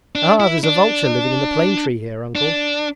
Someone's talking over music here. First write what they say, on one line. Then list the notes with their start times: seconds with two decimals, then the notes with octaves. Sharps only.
'Ah, there's a vulture living in the plane tree here, Uncle.
0.15 D4
0.40 E4
0.64 D4
2.35 D4